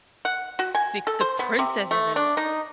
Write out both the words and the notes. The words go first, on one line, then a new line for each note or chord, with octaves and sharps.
the the princess is in
F#5
F#4
G#5
A4
C5
B3
C3
A3
D4
D#4